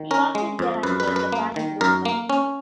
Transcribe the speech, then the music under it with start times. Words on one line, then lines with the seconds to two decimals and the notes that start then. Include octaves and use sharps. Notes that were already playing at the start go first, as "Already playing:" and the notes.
Shortly thereafter, the band broke up.
Already playing: D#3
0.11 C#4 A#4
0.35 G#3
0.59 F2
0.83 F#2 B4
1.00 B4
1.08 F#2
1.16 B4
1.32 A#3
1.56 D#3
1.81 F#2 A#4
2.05 A#3
2.30 C#4